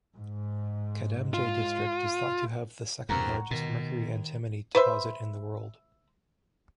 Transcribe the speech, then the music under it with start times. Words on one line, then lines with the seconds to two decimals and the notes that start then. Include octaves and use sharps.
Kadamjay district is thought to have the second largest mercury-antimony deposit in the world.
0.16 G#2
1.34 F4
3.09 E2 G2 A#3 C4 F#5 A#5 C#6
3.51 D#2 B2
4.75 B4 C5 E5